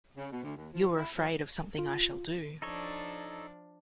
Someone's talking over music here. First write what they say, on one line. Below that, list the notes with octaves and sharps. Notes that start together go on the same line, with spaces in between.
You are afraid of something I shall do.
C#3
B2
D2
D#2
F3
E4
F3
F4
F3 D4 D#4 A4 C#5